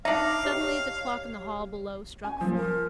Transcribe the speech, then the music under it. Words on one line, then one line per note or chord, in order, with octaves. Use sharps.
Suddenly the clock in the hall below struck four.
D4 D#4 E5 F5
G4 C#5 C7
C#4 G#5
F3 A#3
A#4